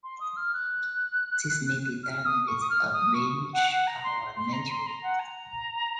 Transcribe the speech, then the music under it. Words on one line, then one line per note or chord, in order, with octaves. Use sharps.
This may be done with a winch, or manually.
C6
D#6
F6
F#6
F6
D#6
C#6
D#6
F6
D#6
C#6
F#5
F#5
A#5
C6
C6
A#5
C6
A#5
F#5
A#5